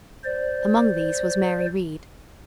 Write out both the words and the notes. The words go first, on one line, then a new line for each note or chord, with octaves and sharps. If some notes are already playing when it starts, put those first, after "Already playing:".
Among these was Mary Read.
C5 D5